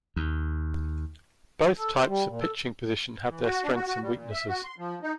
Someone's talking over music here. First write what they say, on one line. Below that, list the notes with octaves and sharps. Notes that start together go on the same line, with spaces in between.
Both types of pitching position have their strengths and weaknesses.
D#2
A4
C5
G3
A#2
A4
E3
F#4
D4
F#4
F#4
G3
A#2
E5
F#4
C6
F3
D#4